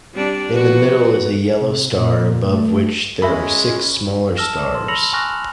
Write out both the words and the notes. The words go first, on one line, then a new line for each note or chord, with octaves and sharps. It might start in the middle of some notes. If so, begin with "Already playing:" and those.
In the middle is a yellow star, above which there are six smaller stars.
G3 C4 D4
B2 F3 F#4 B4
C3
A#2
A3
G#3 C#4 E5 B5 E6
A5 E6 F6 A#6 E7
C6
B5 E6 A#6 C#7 F7 F#7
G#5 C6 C#6 F6 F#6 A#6